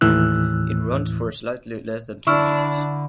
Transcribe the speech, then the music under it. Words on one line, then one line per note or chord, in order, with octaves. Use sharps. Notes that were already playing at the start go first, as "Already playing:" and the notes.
It runs for slightly less than two minutes.
D#2 A2 E3 E6 F#6
D3 D4 E4 C#6 E6 F6